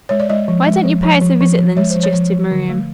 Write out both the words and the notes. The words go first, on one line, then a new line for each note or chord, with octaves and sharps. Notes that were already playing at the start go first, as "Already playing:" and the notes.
"Why don't you pay us a visit, then?" suggested Miriam.
G#3 C#5
D5
G#3 D#5
F3
G#3
F3
F3
F3
F3
F3
G#3 C#5
C5
F3
C#5
F3
F3
D3
A3